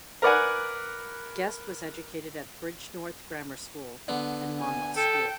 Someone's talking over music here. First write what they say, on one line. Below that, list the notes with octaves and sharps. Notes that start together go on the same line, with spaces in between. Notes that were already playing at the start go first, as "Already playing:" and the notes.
Guest was educated at Bridgnorth Grammar School and Monmouth School.
A#4 B4 D5 F#5 G#5
D3 B3
G#5
A4 G5